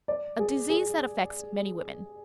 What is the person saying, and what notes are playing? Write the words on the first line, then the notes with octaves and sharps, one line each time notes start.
A disease that affects many women.
D5
G#4
G#4